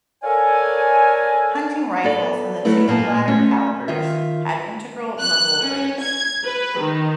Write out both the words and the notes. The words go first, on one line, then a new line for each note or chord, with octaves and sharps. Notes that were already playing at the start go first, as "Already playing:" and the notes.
Hunting rifles in the two latter calibers had integral muzzle brakes.
A4 A#4 C#5 D5 F5 G#5
B3 A4 D5
F#3 G3 A3 E4 B4
A#2 A#3 B3 A5
A3 C#4
D#3 F4 E5
F#6
C#4
G#6
B4
D#3